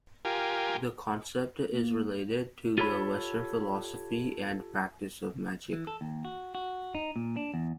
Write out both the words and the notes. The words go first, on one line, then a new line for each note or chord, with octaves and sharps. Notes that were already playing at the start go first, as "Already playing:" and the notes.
The concept is related to the Western philosophy and practice of magic.
F4 G4 A#4 G#5
A#3
F4 G4 A4 C#5 B5
E3
A4
D#2
F#4
F#4
D#4
A#2
D4
E2